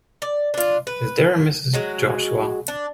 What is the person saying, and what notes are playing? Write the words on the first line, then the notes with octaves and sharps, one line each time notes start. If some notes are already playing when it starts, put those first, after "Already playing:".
Is there a Mrs. Joshua?
D5
D4 F4
B4
F#3 G#3 F#4
D4